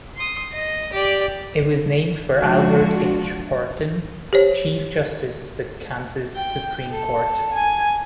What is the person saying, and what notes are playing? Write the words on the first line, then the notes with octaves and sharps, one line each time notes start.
It was named for Albert H. Horton, chief justice of the Kansas Supreme Court.
C6 D#6
D#5
G4 D5
F3 G#3 D4 F4 F#4
G4 C5 C#5
G5
A4
G#5